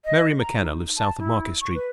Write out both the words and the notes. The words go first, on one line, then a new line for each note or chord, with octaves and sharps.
Mary McKenna lives south of Market Street.
D#5
A#5
D#4
A5
E4
C#6
B4